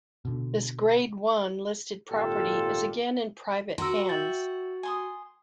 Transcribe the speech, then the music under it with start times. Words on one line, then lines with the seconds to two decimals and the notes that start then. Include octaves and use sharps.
This Grade One listed property is again in private hands.
0.25 B2 D3
2.10 G#1 A#2 F4 G4 A4
3.78 F#4 A#4 A#5 C6 E6
4.09 E5 G5 A6 F#7
4.83 G#5 C6 D#6